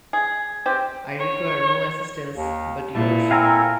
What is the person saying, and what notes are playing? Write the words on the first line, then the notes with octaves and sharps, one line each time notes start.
I require no assistance but yours.
G#4
C4 G4
C#5
D#2
A#2 E4 A5
C4 A4 A#4 F5 G#5 A#5